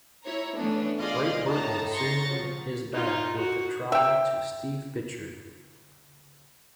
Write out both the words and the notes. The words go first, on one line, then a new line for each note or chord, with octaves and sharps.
Great Britain soon his back with a try to Steve Pitchford.
E4 C#5 A#5
E3 A3 B3 C#4 D4
F4 G#4 D5 D#5 F5
A2 D#4 A5 A#5
A#5 C6 C#6 A6 A#6
F3 F#3
D#4 F4
F#4
E5 G5